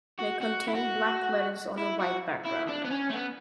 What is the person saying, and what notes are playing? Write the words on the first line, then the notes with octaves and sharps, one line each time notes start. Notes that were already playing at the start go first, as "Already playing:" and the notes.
They contain black letters on a white background.
F#4
F#4
E4
F#4
E4
F#4
E4
D4
B3
C#4
A3
B3